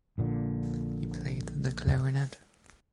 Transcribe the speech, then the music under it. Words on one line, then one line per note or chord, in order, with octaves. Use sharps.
He played the clarinet.
A#1 A#2 D3